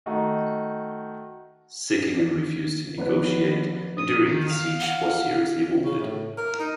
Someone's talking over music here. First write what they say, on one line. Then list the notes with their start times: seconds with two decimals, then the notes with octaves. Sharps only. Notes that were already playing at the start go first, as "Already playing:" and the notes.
Sickingen refused to negotiate, and during the siege was seriously wounded.
0.06 D#3 A3 D#4 F#4
2.98 F#1 F3 B3 B4
3.98 D#6
4.29 D#3
4.51 F5
4.81 F#5
5.85 C#3
5.99 A2
6.37 A#4
6.59 D#4